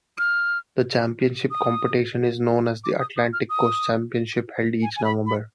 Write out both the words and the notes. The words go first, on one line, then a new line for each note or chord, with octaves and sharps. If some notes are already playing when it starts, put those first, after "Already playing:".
The championship competition is known as the Atlantic Coast Championship held each November.
F6
D#6
D6
D#6
D#6
F6
D#6
G#5
G#5
B5
B5